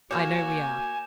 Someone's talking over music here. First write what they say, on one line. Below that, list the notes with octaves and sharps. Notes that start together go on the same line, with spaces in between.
I know we are!'
A#3 F#4 C#5 G#5 D6 G6 E7